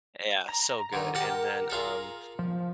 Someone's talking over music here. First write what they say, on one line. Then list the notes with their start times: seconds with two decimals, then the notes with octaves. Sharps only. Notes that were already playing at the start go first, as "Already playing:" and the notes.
Yeah, so good. And then, um,
0.49 A#5
0.93 D3 D#3
1.15 G4 A#4 F#5 A5
1.70 F4 G#4 A4
2.39 F3